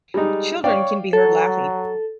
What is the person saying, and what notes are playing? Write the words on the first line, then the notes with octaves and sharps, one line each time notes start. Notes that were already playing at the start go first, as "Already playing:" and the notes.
Children can be heard laughing.
G3 G#3 D#4
C#5 D5 F5 G5
F#3 A4